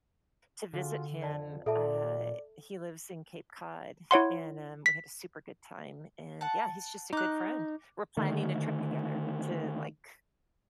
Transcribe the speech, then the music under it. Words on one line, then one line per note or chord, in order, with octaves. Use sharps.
to visit him, uh, he lives in Cape Cod, and, um, we had a super good time, and, yeah, he's just a good friend. We're planning a trip together to like,
D3 F4 F#4 G#4
F2 D5 A5
A#2 A4 D5 E5 A5
E4 C#5 F#5 C6
B6
F#5 A5
D#4 D6 F#6
D3 D#3 A3